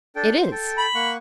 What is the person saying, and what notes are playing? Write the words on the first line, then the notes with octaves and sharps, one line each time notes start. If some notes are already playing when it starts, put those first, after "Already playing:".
"It is."
D4 A4 G5
C5
A4 G5
B5
A#3 F#5 C#6